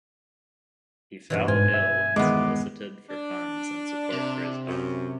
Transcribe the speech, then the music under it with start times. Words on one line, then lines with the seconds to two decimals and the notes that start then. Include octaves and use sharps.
He fell ill and solicited for funds and support for his health.
1.30 G2 B2 E3
1.48 G#2 F4 G#5
1.74 E5
2.16 E2 D#3 G#3 B3 D6
3.10 D4
4.12 C3
4.68 F#2